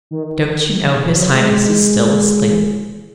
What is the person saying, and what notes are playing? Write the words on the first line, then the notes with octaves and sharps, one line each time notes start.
Don't you know his highness is still asleep?'
D#3
D#3
F3
F#3
G#3
G#3